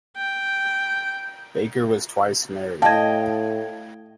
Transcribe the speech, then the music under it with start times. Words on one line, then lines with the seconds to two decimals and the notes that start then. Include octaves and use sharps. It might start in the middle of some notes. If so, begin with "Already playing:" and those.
Baker was twice married.
0.17 G5
2.82 A2 D#5 F5 G5 A5 G#6